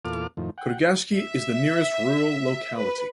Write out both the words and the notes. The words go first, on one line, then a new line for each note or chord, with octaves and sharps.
Kurgashki is the nearest rural locality.
E2 A#2 F4 A4 D6 F6
F2 A2 D#3 F3
F#5 G5
E5
B4